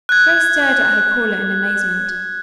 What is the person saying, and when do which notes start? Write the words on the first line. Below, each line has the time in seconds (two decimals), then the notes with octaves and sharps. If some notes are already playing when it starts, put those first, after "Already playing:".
Grace stared at her caller in amazement.
0.09 F#6 G#6